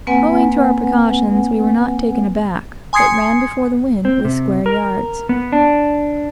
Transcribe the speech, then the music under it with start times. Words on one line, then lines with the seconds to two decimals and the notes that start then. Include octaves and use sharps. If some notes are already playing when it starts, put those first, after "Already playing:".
Owing to our precautions, we were not taken aback, but ran before the wind with square yards.
0.07 A#3 C4 B4 F#5 G#5
2.93 G#5 C6 D#6 G#6 C7 C#7
4.05 C4
4.25 C3
4.66 A#4
5.29 B3
5.53 D4